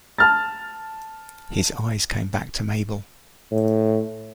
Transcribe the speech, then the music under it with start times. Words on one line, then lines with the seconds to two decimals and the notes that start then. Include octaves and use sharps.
His eyes came back to Mabel.
0.18 A5 F6 A6
3.52 A2